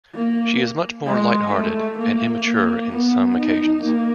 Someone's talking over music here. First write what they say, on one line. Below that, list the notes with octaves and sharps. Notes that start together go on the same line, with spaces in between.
She is much more light-hearted and immature in some occasions.
A#3
G#3
A3
A#3
A#3
B3
D#4
A#3